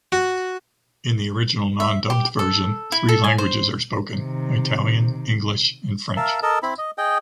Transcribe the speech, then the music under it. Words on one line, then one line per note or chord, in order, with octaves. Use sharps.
In the original non-dubbed version, three languages are spoken: Italian, English and French.
F#4
E5
G4
A4
E4
A4
G#5
C5
C3 D#3
A#4 E5 F5 A5
A4 A#4 D#5 A5
C4 E4 B5
D#5
G#4 D#5 G5